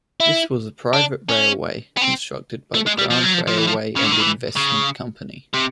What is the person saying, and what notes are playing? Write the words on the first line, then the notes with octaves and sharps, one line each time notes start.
This was a private railway, constructed by the Grange Railway and Investment Company.
E4
D4
C#4
B3
C4
A3
G#3
G3
F3
F#3
F3
F3
E3
F3
C#3
D3
D#3
E3
C#3
C3